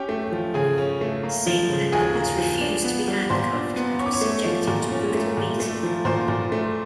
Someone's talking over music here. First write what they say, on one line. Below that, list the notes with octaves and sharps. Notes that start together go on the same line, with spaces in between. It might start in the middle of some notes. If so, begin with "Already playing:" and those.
Singh and others refused to be handcuffed and were subjected to brutal beating.
Already playing: C#4 G4 G5
A3
F3
C#3 G#4 G#5
C#4
A3
A#3
F3
C#3
D#2 G#4 G#5
A#3
F3
D4
B3
G3
A#2 C5 C6
D4
B3
C#4 C#6
D6
C#5 C#6
A3
F3
A#2
C#4
A3
A#2
A3
F3
A#2 C5 C6
A#2
A3